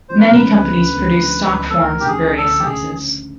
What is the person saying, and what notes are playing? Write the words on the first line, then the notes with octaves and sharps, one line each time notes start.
Many companies produce stock forms in various sizes.
F3 C5
B4
C#3 A#4
B4
D2
D2
D2
F3
D2
D2
A4
D2 A#4
C#3 G4
G#4
D2
A4
D2
G4
C#3 G#4